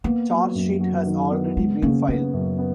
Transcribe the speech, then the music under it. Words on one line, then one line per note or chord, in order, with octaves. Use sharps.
Charge sheet has already been filed.
A#3 B3
F#3
F#2
F#3
D#3
B3
G#3 B3
C#3 A#3
A#3 B3
F#2
B3